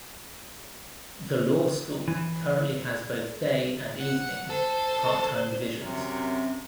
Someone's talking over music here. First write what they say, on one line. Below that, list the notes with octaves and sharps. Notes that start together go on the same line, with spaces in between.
The law school currently has both day and evening, part-time divisions.
E3
F#5
A4 C5
F#2 C3